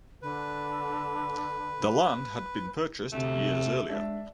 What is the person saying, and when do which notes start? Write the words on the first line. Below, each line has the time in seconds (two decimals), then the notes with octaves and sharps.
The land had been purchased years earlier.
0.22 D3 B4
3.12 D2 C3 A3
3.89 G#3 D4 E5 A5